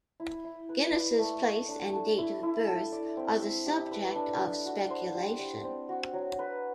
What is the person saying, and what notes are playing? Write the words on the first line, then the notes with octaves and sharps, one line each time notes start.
Guinness's place and date of birth are the subject of speculation.
E4
E4
B4
D5
A3
A3
D4
A4
E4
E4
A4
D5
C4
E5
G4
B4
D4
D4
F#4
C5
G3
G3
C4
F#4
F#3
B4